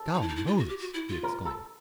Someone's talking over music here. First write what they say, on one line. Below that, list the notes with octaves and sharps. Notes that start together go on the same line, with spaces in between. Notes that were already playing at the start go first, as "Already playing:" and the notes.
"Golly Moses!" he exclaimed.
Already playing: A4
D#4
E4
D#4
E4
F4
F#4
G4
F#4
E4
F4
A#4
A4